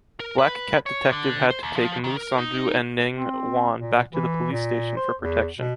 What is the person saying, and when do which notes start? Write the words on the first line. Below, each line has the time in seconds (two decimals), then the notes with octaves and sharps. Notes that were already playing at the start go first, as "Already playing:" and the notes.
Black Cat Detective had to take Mou Sandu and Neng Yuan back to the police station for protection.
0.20 A#4
0.38 B4
0.86 C#5
1.13 D3
1.51 C5
1.63 D#2
1.76 F3
2.04 D#3
2.17 A#4
2.39 D#4
3.16 C4
3.79 A#2
4.13 E3
4.52 A#2
4.97 C5
5.21 E2
5.59 B2